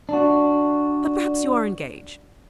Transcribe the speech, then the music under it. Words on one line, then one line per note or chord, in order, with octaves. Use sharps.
'But perhaps you are engaged.
D4 F#4